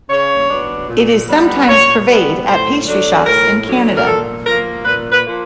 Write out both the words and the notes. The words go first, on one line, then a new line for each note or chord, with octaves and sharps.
It is sometimes purveyed at pastry shops in Canada.
C#3 C#5
F#3 B3 D4
A#2
G3 B3
A#2 C#5
G3 B3
A2 C5
F#3 A3 D4
A2 A#4
F#3 A3 D4
A#4
A#2 A4
F3 A#3 A#4
A#2 B4
B4
F3 A#3